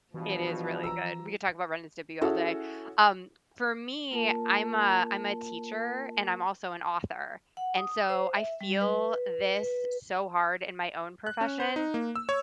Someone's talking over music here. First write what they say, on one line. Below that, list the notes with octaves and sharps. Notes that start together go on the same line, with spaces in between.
It is really good, we could talk about Ren and Stimpy all day, um, for me, I'm a I'm a teacher and I'm also an author and, so, I feel this so hard in my own profession
G2 B2 E3 F3
A#5 E6
C#4 E4 F#4 G#4 A4
A#3 F4 A#4 A5
F#5
D#6
C5
E5
G3
B4
B4
F#6
C#4
C5
D#4
A#3
E6
C#5